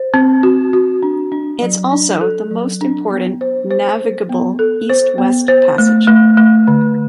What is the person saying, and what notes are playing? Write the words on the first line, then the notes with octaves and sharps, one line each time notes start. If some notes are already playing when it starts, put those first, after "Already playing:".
It’s also the most important navigable east-west passage.
Already playing: C5
C4
F#4
F#4
D4
D4
F#3
D4
A4
F#3
D4
B3
C5
C5
C5
B3
A4
C5
B3
C5
A3
A3
A3
D3